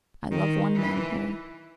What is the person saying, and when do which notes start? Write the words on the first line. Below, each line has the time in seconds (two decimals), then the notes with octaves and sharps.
I love one man here.
0.32 D#3
0.76 E3